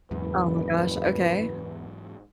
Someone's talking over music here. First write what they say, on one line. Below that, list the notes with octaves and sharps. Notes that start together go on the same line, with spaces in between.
Oh, my gosh. Okay.
F#1 E2 G#2 E3 F#3 B4